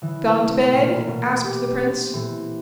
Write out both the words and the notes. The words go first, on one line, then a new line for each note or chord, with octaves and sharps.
"Gone to bed?" asked the prince.
D3 E3
C3
A3
C3
A#2 A#3
B2
A#2
B2
G4
C4
A#2 E3